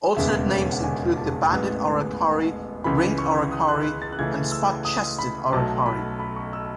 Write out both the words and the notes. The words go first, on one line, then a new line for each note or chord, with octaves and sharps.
Alternate names include the banded aracari, ringed aracari and spot-chested aracari.
E1 D#2 C#3 G#3 B3 E5
C#5
F#5
G#5
A5
A1 A2 G#3 B3
C#2 C#3 E3 B5
C#6
D#6
F#6
F#6
A6
F#6
C#2 C#3 E3 A3 G#6
E6
D#6
B5
B1 B2 F#3 A3 A5
B5
B5
C#6
E6